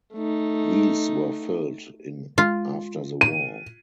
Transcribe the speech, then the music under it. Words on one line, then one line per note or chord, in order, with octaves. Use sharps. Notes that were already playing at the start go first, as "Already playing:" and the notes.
These were filled in after the war.
A3 D#4
G#3 F4
D#7